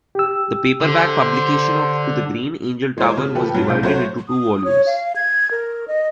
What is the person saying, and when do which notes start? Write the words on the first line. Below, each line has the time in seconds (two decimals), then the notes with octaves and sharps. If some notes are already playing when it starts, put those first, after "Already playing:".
The paperback publication of "To Green Angel Tower" was divided into two volumes.
0.15 G4 E6
0.81 D3 C5
2.97 E3 G#3 A3 F4 C5 C#5
3.17 C#3
3.35 F3 A#3 G4 A4 B4
3.54 G2 F#3
3.67 C2 A#2 F5 G6
3.83 F#3 A3 F#4 C5 C#5
4.28 D#6
4.64 C#5
4.86 F5
5.16 G#6
5.51 A#4
5.88 D#5